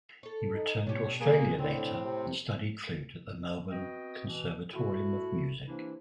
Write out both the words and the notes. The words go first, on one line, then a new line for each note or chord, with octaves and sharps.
He returned to Australia later and studied flute at the Melbourne Conservatorium of Music.
A4 C#5
D#4
B2 D4 G4 C#5
C3 F#3 A#3 B3 G#4
A2 D3 D#3 C4
C3
B3 C4 F#4 D#5 G5
B2 E3
A3 E4 F#4
C3 E3 A#3 D4 E4